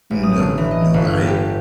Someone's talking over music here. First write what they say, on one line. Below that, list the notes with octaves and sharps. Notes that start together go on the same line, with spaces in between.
No, no, I
A1
D#6
D3
E3
D#5
G1
G4